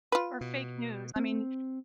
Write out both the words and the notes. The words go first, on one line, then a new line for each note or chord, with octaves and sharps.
Or fake news, I mean,
F4 B4
B2
C4